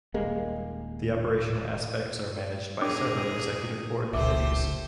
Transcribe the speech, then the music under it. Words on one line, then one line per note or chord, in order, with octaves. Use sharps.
The operational aspects are managed by several Executive Board committees.
D#1 G3 G#3 A#3
E2 D4 G#4 A#4 D6
F1 C#2 A3 G4 C5 E5 D6